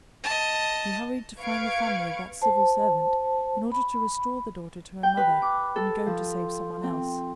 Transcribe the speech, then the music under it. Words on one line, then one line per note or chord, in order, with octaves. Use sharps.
He hurried to find the family of that civil servant in order to restore the daughter to her mother and go to save someone else.
D#5 A5
B4 F5 C#6 G#6 D7
C5 A5
B5
G5
B4
D6
A4
F3
C4